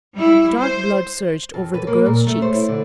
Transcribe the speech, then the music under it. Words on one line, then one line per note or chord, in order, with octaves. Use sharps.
The dark blood surged over the girl's cheeks.
G3 E4
C5
F2
B4
A#3
A#2
A3
C5
E4
D3